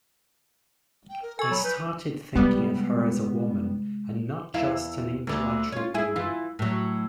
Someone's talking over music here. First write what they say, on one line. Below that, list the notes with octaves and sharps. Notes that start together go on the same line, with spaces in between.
I started thinking of her as a woman, and not just an intellectual woman.
G5
A#4
A4 G#5 C#6 G#6
F#3 B5
B4 G6
C3 G3 G#3 B3
E2 E4 F5
D2 D3
C#4 F4
E4 G#4
E3 F4
A2 F#3